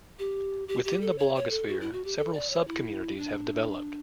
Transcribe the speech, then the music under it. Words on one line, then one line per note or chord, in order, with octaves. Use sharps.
Within the blogosphere, several sub-communities have developed.
G4
G4
G4
A4
C#5
C#5
A4
F#4
E4
F#4
G4
A4
D5
C#5
E4
D4